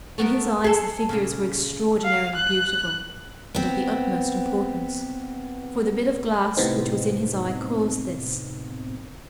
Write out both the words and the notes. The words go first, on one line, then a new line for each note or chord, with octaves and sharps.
In his eyes the figures were extraordinarily beautiful, and of the utmost importance; for the bit of glass which was in his eye caused this.
A3 B3 A#4
G#4 A4
A#2 C#3
F5
F#6
B3 C4
A2 C3 B3 C4 D#4